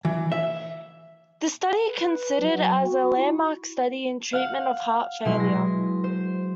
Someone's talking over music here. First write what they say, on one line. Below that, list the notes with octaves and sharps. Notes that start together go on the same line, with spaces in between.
This study considered as a landmark study in treatment of heart failure.
E3
E5
B4
F#3
F#4
E4
F5 F#5
B2 F#3 G#3 E4 C6
A#6
C5